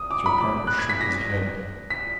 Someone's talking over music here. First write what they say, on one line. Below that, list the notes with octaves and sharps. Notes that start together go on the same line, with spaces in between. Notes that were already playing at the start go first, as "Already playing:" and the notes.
Mr. Parker shook his head.
Already playing: D#6
D6
B5
D6
F#6
G#6
B6
A#6
B6